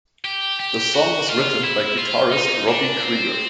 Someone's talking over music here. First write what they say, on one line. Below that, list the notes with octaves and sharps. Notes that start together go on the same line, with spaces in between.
The song was written by guitarist Robby Krieger.
G4
G4
F#4
F4
E4
F4
D#4
D4
C4